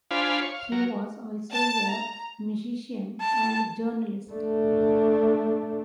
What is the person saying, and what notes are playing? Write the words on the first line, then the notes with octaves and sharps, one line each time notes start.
He was also a musician and journalist.
D4 F4 C5 F5 G#5 B5
C#5
F5
F#3 A#4
A5
A#5
A5
A3 D4